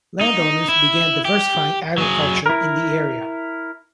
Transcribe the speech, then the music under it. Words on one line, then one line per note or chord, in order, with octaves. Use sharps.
Landowners began diversifying agriculture in the area.
D#4
E4
G4
F#3 G#4
E4 A#4